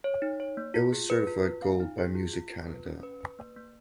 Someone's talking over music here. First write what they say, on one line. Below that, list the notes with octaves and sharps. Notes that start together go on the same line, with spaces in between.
It was certified Gold by Music Canada.
C#5
D#4
C#5
A#3
F4
G#4
B4
F4
F4
F5
D#4
G#4
F4
F4
F4
B4
C#4
B4
B4
A#3
A#3